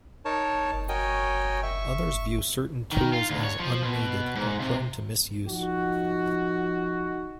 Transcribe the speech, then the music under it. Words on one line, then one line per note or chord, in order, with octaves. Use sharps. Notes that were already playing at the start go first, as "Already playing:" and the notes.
Others view certain tools as unneeded or prone to misuse.
D#4 A#4 C#5 A5
F#4 A#4 C#5 D#5 G5 G#5
E5 C#6
D#3
F4
D2
C#5
F3
B2
G#2
C3
F3 D#4 F#4